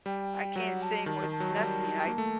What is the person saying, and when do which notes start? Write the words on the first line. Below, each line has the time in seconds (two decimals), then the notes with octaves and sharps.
I can't sing with nothing, I
0.06 G3 G5
0.56 F#3 F#5
0.82 A5
1.06 D#3 A5
1.24 D#3
1.31 A5
1.40 F#3
1.57 G3
2.07 A#3
2.18 A3